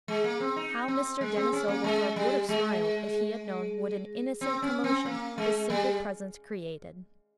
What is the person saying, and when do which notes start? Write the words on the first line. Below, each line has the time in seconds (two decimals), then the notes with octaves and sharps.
How Mr. Denis Oglethorpe would have smiled if he had known what an innocent commotion his simple presence created!
0.08 G#3
0.24 A#3
0.40 C4
0.56 D#4
0.88 C4
1.21 G#3
1.37 C4
1.53 C#4
1.68 A#3
1.84 G#3
2.16 G3
2.49 G#3
4.41 C4
4.62 C#4
4.84 C4
5.06 A#3
5.38 G#3
5.70 G3